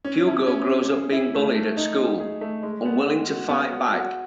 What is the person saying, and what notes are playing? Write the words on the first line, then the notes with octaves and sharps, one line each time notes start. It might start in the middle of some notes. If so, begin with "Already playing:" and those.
Hugo grows up being bullied at school, unwilling to fight back.
C#4
E4
C#4
C#4
G#4
E4
A3
A3
D#4
D#4
G#4
A3
G#3
B3
G#3
F#4
B3
F#4
F#4